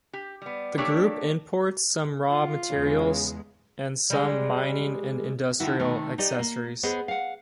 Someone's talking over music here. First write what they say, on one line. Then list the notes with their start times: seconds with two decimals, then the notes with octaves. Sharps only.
The group imports some raw materials and some mining and industrial accessories.
0.13 G4
0.42 G3 B3
0.78 A3 A#3 D4 G4 A4 C#5
2.28 F4
2.70 E2 C#3 G#3
4.10 G3 G#3
5.60 D3 D#3 D4 E4 F#4
5.79 C3 D#3 A3
6.18 D#4 G4 D5 D#5
6.39 A#3
6.83 B3 G#4 C5 D#5
7.08 F5 F#5